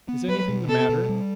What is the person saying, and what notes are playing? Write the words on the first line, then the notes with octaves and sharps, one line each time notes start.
'Is anything the matter?
B3
F#3 B4
B2
B3 A4
B2
G3